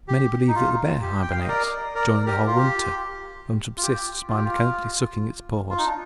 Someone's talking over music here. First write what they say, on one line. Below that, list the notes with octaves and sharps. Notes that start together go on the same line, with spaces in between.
Many believe that the bear hibernates during the whole winter and subsists by mechanically sucking its paws.
G4
D#4
F4
G4
G5
F5
D#5
A#4 D5
A#4 D5
G4 A#4
F4
G4
F4
G4
F4
G4
F4
F4
D#4
D4